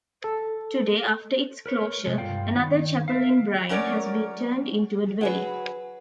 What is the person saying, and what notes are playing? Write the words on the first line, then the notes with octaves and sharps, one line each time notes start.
Today, after its closure, another chapel in Bryn has been turned into a dwelling.
A4
A#4 B4 C#5
C3 G#3 A4
G2 A#2 F4 D5 F5 G5
D#3
A#4 E5 F5
F#3 C#4 A#4 C#5 D5
F#3 G#4 B4